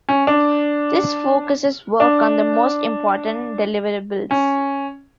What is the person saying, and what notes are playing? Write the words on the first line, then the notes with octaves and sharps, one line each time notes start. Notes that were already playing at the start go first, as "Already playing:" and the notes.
This focuses work on the most important deliverables.
C#4
D4
D4
C#4